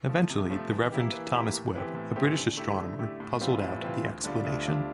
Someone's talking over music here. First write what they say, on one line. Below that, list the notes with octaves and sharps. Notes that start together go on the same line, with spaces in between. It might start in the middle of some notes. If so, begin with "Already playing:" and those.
Eventually the Reverend Thomas Webb, a British astronomer, puzzled out the explanation.
F3 A3
C3
F3 A3
E3
A#3 E4 G4
E3
A#3 E4 G4
A2
E3 A3 C4 G4
A2
E3 A3 C4 G4
D3
A3 E4 G4
D3
A3 E4 G4
A2
E3 G3 C4 F4
A2
E3 G3 C4 F4
D2
D3 G3 D4 F4
D2
D3 G3 D4 F4